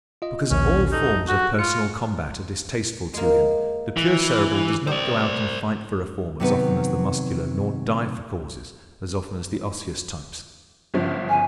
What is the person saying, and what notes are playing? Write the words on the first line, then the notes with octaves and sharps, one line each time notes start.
Because all forms of personal combat are distasteful to him the pure Cerebral does not go out and fight for reform as often as the Muscular nor die for causes as often as the Osseous types.
F4 D#5
A#1 D#2 B2 C#4
D#4 G4 A4
F#4
F4 C#7
G#3 A#3
E3
G3 C5 D5
C3 D#3 F#3 B3 B4
G1 C#3 F3
G#5